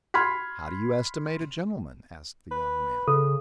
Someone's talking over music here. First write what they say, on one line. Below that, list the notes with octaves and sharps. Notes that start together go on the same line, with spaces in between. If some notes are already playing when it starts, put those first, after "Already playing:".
"How do you estimate a gentleman?" asked the young man.
B5 C6 F6 G#6 B6
B4
C#3 A4